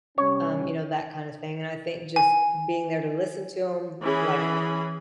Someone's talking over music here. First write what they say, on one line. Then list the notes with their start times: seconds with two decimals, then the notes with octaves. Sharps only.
Um, you know, that kind of thing and I think just being there to listen to him like
0.18 C3 G3 C#4 C#5
2.16 G#5
4.01 E3 C#4 G#4 B5